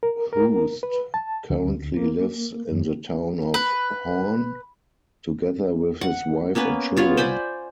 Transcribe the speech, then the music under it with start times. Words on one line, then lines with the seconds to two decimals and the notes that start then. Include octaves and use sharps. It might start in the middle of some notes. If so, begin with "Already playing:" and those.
Hoost currently lives in the town of Hoorn, together with his wife and children.
0.03 A#4
0.33 A#4
0.83 B4
1.14 A5
1.50 D2
1.97 A#3
2.71 F#2
3.54 B4
6.01 F#5
6.55 A#3 B3 C#4 B4
6.97 B3 F4 C#5 F#5
7.17 C5 D5 G#5 B5